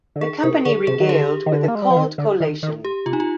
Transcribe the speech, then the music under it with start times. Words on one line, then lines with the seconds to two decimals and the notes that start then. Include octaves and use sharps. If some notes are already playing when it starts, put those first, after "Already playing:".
The company regaled with a cold collation.
0.16 D3
0.21 D#3 G#4
0.43 C3 A#4
0.65 D3 G#4
0.87 C3 G#4
1.00 D#3
1.08 D3 G4
1.46 D#3
1.52 D3
1.68 A#3
1.75 G#3
1.82 G3
1.90 F3
1.96 D#3
2.18 D3
2.40 D#3
2.63 D#3
2.85 G4
3.06 C3 F4
3.13 D#4
3.20 F4